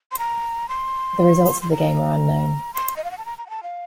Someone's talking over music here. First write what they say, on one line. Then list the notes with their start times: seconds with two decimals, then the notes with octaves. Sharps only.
The results of the game are unknown.
0.12 C6
0.19 A#5
0.69 C6
1.62 C6
1.71 A#5
2.74 C6
2.96 D#5
3.04 F5
3.11 F#5
3.18 A5
3.26 A#5
3.38 A#5
3.46 F#5
3.50 A5
3.63 F5